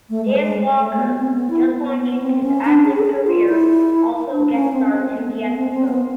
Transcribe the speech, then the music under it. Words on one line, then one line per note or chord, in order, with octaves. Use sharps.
Dan Blocker, just launching his acting career, also guest starred in the episode.
A3
G#3
G#3
A3
B3
C4
B3
E4
B3
B3
C4
C#4
D4
G#4
A4
G#4
F4
E4
D4
C#4
C4
C4
B3
B3
C4
C4
B3